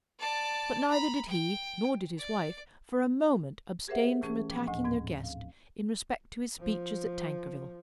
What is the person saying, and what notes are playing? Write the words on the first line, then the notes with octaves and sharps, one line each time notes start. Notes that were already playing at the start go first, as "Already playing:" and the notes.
But neither did he nor did his wife for a moment abstain from attacking their guest in respect to his speeches at Tankerville.
D5 A5
A#5 B5
G5
D5
G4 G#4 A#4 C5 E5 F#5
E3 A3 C#4 G#4
A#2 F3 G5
D2 A2 D#5 G#5
G#2 C4 G#6
F5
F3